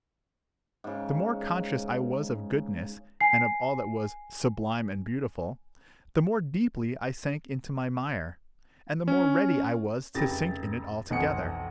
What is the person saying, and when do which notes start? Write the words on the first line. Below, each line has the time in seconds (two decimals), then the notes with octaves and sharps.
The more conscious I was of goodness and of all that was "sublime and beautiful," the more deeply I sank into my mire and the more ready I was to sink in it altogether.
0.84 G#2 C#3
3.21 G#5 C7
9.08 C#4
10.15 F1 C#3 E4 G4 A6 A#6
11.10 B1 F2 E3 F#5 D#6 C#7